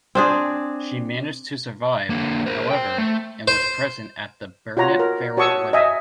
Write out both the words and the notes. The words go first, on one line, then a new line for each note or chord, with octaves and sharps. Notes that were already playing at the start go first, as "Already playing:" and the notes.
She managed to survive, however, and was present at the Bernett-Farrell wedding.
C4 D4 G#4
D3 A#3
A#4 C5
C5 G5
A3
C5
F4 F#4 C#5 A#5
A#4
F#4 C#5 A5 C#6 D#6 E6
D#5 E5 G#5